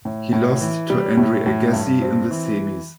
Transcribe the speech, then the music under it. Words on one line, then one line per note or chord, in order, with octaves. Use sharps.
He lost to Andre Agassi in the semis.
A2
A2
E3
G3
A2
A2
G2
C4
E3